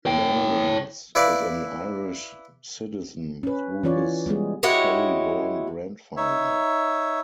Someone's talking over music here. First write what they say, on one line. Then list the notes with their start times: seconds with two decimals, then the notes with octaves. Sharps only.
Lawrence is an Irish citizen through his Kerry-born grandfather.
0.06 C#5 G5
1.15 E4 B4 D5 F5
3.43 C#4 B4
3.83 E3 C#4 F4 C#5 D5
4.26 G3 G#3 B3 G#4
4.63 G#3 E4 F#4 G4 C#5 D#5
6.17 D#4 C#5 E5